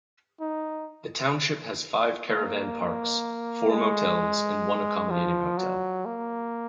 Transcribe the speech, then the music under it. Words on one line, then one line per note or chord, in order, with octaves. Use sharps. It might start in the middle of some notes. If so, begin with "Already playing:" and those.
The township has five caravan parks, four motels and one accommodating hotel.
D#4
A#3
G#3
F3
F#3
A#3